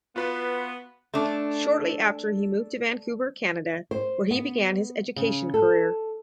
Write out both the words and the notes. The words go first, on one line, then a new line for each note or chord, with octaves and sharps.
Shortly after he moved to Vancouver, Canada, where he began his education career.
B3 F4 F#4 B4
A3 D4
C5
B3
C#3
A4